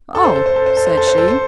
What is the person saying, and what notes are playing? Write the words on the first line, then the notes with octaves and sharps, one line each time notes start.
"Oh!" said she.
A4
C5
A4
C5
A4
C5
A4
C5
A4
C5
A4
C5